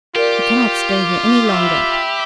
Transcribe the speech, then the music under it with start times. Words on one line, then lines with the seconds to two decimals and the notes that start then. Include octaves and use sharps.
I cannot stay here any longer.
0.16 F4 G4 A#4 D5
1.49 E5 B5